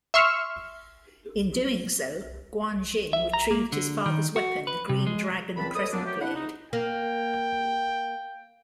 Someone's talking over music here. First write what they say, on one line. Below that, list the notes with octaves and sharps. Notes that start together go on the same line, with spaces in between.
In doing so, Guan Xing retrieved his father's weapon, the Green Dragon Crescent Blade.
E5 C6 C#6 E6 F6
E5
A#5
A#3
D3
D#3
F#4
B4
C3
G#3
C#2 A#2 E3 C4 A5 B5
A4 B4 C#5 D#5 D#6
F#2 A#2 F#3 B3 C4 D4
F#3 A3 G4
D4 E4 F#5
D#4
A#3 G5